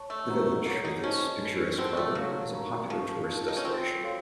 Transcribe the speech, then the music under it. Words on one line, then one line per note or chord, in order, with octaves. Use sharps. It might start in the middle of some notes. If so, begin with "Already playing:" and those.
The village, with its picturesque harbour, is a popular tourist destination.
Already playing: C#5 A5 C#6
A3
C5 F#5 A#5 C#6
A#3 C#5 F#5 A#5
D#4
C#4 C5 D#5 A5 C#6
D#4 F#4 A4
C4 C5 F#5 A5 C6
A3
F#3 C#5 F5 A5
F#4 A#4 F5 A#5 C#6
F3 D#4 A#4 F5 A5 C#6
F4 A#4 F5 A5
D#4
C#4
C4 F4 A4 C5
F#4 A4 C#5 F5 C6